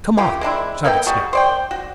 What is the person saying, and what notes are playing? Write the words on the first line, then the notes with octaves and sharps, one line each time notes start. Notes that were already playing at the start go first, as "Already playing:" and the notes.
"Come on!" shouted Snap.
C#3 E4 F4 G4
G#3 C4 D4 E4
A#3 B3 D#5 G5
G3 F#4 G#4
C5 D5 G5
F#4